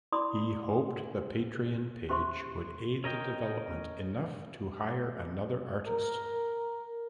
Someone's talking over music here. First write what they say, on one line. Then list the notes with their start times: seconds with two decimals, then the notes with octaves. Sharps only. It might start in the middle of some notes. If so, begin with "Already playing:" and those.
He hoped the Patreon page would aid the development enough to hire another artist.
0.12 E4 D5 B5 C6 D6 D#6
2.09 C#4 G4 C5 E5 C6 C#6
3.04 C#4 A#4 D#5 G5
5.88 A#4